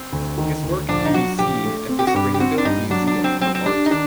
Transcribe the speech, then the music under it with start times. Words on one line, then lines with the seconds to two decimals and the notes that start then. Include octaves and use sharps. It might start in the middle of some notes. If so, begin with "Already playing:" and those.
His work can be seen at the Springville Museum of Art.
Already playing: C4
0.13 D2
0.38 D#3
0.63 D2
0.89 A#1 D4
1.05 D#4
1.14 F#3 F#4
1.39 A#1 G4
1.65 A3
1.89 C4
1.99 G4
2.07 F#4
2.14 G2 G4
2.34 G4
2.40 C4 F#4
2.58 D4
2.65 G2 D#4
2.90 F#3 D4
3.07 D4
3.16 F#3
3.24 C4
3.40 F#3 C4
3.55 C4
3.66 D4 G4
3.86 D#4
3.91 D#3 D4